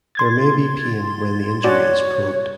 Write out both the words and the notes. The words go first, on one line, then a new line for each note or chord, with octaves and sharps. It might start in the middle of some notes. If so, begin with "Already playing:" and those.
There may be pain when the injury is probed.
C6 G#6 A6
F#4 C#5 D5